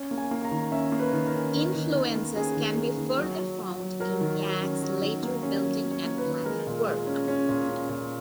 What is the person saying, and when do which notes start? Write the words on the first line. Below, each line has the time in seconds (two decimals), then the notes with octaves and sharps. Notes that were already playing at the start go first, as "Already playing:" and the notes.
Influences can be further found in Yeang's later building and planning work.
Already playing: C#4
0.11 A#3
0.18 G#5
0.31 A#3
0.45 A#5
0.51 D#3
0.72 C#4 E5
0.92 A#3
0.99 B4
1.13 D#3
1.27 A#4
1.34 C#4
1.54 D#3
1.74 D#3
1.95 D#3
2.15 A#3
2.36 C#4 G#4
2.56 D#3
2.77 A#3
2.97 D#3
3.18 F#3
3.39 F#3
3.59 F#3
3.80 F#3
4.00 F#3 A#4
4.21 D#3
4.41 F#3
4.61 C#4
4.82 F#3
5.02 D#3
5.23 A#3
5.43 C#4
5.64 F#3
5.84 A#3
5.91 C#5
6.04 A#3
6.18 B4
6.26 D#3
6.45 G#3 A#4
6.67 A#2
6.87 G#3
7.07 C#4
7.28 C#4
7.49 A#2
7.69 C#4
7.89 A#2